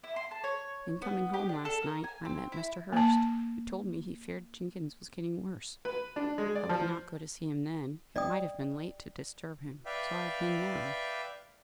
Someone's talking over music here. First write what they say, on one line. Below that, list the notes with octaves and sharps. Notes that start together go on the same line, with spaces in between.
"In coming home last night, I met Mr. Hurst, who told me he feared Jenkins was getting worse. I would not go to see him then; it might have been late to disturb him, so I have been now."
E4
C6
A5
C#5
B3
G4
D4
A4
A#4
G#5
C4
E4
A#3 A5
B4
D4
G#3
D5
F3
D5 D#5 G5 D#6
B4 D5 E5 F5 G5